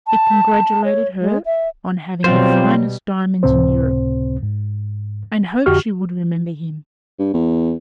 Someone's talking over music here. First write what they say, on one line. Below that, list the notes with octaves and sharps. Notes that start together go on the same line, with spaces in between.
It congratulated her on having the finest diamonds in Europe, and hoped she would remember him.
A5
C#5
G#3
E5
B2 F#3 G3 C4 F4 C5
C#2 A2 C3 C4 C5
G#2
F2 D3 F#4 G4 C#6 F6
G2
E2